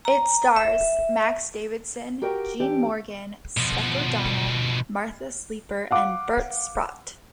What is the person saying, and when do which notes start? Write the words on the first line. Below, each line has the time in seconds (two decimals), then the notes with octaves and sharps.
It stars Max Davidson, Gene Morgan, Spec O'Donnell, Martha Sleeper, and Bert Sprotte.
0.05 A#5
0.56 E5
2.22 F#4 G4 A#4 G5
2.59 E3 D4 G4
3.57 B2 F3
5.91 F5 F#5 D6